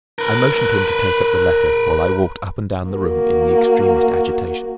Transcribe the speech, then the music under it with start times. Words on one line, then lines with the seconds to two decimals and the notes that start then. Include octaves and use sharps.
I motioned him to take up the letter, while I walked up and down the room in the extremest agitation.
0.18 A#4 B4
2.91 A#3 F#4